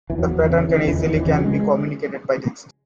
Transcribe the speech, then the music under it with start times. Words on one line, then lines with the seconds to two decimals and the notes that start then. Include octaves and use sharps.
The patterns can easily be communicated by text.
0.10 E2 E3
0.18 F#3
0.31 E2
0.44 E3
0.50 C#3
0.68 C#3 E3
0.87 E2 E3
0.94 D#3
1.06 E2
1.16 F#3
1.19 E3
1.26 C#3
1.37 F#3
1.44 G#3